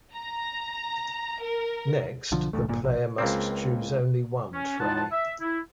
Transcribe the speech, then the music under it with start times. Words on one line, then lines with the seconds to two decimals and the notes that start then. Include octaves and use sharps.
Next, the player must choose only one tray.
0.14 A#5
1.41 A#4
2.31 B1 D3 F3
2.53 D1 A1 D2 A3
2.69 G1 A#2
2.84 A#1
3.18 C#2 A#3 C4
4.52 C#4
4.80 A2 G#3 D#4 F4 F#5 A5
5.12 E5
5.41 E4